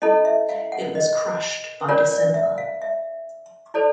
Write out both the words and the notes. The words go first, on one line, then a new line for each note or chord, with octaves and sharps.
It was crushed by December.
C#4 E4 A4 D#5
E5
F5
F#5
D#5
C#4 F4 A#4 C#5 D5
D5
E5
F5
E5
E4 A4 C5 D5